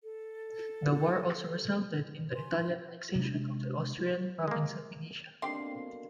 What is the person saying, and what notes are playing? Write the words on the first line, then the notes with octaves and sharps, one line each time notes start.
The war also resulted in the Italian annexation of the Austrian province of Venetia.
A4
G#5 C6
C3 G#3 D4
G#3 A#3
B2 D3 D#3 A#3 C4 D4 G4 C6